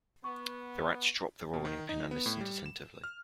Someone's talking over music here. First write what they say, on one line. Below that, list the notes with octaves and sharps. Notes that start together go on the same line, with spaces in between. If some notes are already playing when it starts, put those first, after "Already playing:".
The rats dropped the rolling-pin, and listened attentively.
B3 C#6
B2
D#3
D#4
B3
A2
G3
E7
F6